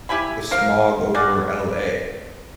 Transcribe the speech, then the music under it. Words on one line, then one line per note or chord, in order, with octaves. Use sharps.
the smog over LA.
E4 G4 G#5 B5
A#4 C5 F5
F#4 G#4 A#4 D5